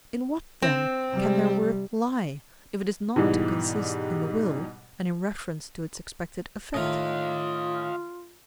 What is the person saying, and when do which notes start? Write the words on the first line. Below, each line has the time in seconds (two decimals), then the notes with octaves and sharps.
In what, then, can their worth lie, if it is not to consist in the will and in reference to its expected effect?
0.62 C4
1.11 C3 G3
3.16 G#2 B2 E3 G3
6.74 A2 D#3 F4 D#5 F5